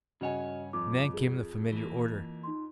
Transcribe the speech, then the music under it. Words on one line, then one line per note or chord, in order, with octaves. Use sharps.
Then came the familiar order.
G2 C#3 F#4 C#5 D#5 F#5 G#5
F2 D6
G#4
E3 A#3
D#4 C6